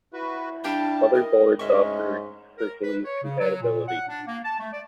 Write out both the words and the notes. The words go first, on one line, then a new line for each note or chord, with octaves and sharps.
Other boards offered Hercules compatibility.
E4 F#4 B4
G3 D4 G4 F5 G5 A5
A#4 D#5
D2 G#2 G#3 C#4 D#5 E5 C#6
A#4
B4
C#5
C#3
F#3
A#2
F#5
D4
A#3
A5
A3
D5